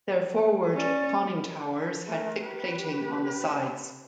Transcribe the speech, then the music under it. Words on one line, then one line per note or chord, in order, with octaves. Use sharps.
Their forward conning towers had thick plating on the sides.
C#4 D5
A3 A#4
G4 B4